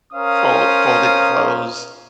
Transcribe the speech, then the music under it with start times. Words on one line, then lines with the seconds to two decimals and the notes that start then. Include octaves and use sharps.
fol folded clothes
0.13 C#4 A#4 C5 F5 D#6